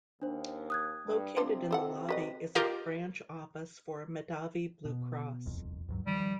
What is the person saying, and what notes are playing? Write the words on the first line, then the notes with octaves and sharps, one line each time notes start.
Located in the lobby is a branch office for Medavie Blue Cross.
D#2 D4 C5
D#6 F#6 G#6
G2
C3 F3 C4 D4
F3 A4 F#5
F#4 B4 D#5 B6
F4 G4 A#4 D#5 F5 G5
B2
D#1 C2 F2
D2 G2 F#3
D#3 F3 G3